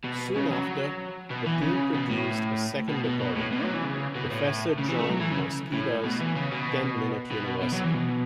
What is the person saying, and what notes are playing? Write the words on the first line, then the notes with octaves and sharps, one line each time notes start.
Soon after, the team produced a second recording, Professor John Moschitta's Ten Minute University.
B2
C#3
F#3
B2
E3
C#3
B2
A2
B2
B2
B2
A2
B2
F#3
E3
C#3
B2
A2
C#3
E3
A3
F#3
E3
C#3
A2
B2
E3
C#3
B2
B2
B2
F#3
E3
B2